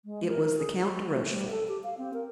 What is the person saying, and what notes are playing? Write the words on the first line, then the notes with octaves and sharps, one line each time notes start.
It was the Count de Rochefort.
G#3
A#4
G#4
F#4
A3
G3
A4
G4
F5
C4
A#4